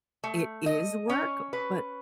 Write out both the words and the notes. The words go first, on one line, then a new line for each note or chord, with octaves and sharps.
it is work, but
A3
D#5
C#4
B4